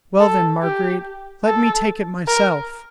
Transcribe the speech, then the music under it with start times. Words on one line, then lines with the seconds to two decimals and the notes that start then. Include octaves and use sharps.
"Well, then, Marguerite, let me take it myself."
0.20 A4
0.62 G4
1.44 A4
2.28 A#4